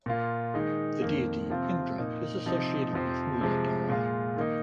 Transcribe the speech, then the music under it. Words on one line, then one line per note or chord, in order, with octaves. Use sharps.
The deity Indra is associated with Muladhara.
A#2 A#3 F4
D#3 G#3 D#4
F2 D#3 A#3
C3 F3 C4 F4
A#2 A#3 D#4
C3 F3 C4 D#4
F2 C3 F3 C4
C3 F3 G#3
A#2 G#3 F4
D#3 A#3 D#4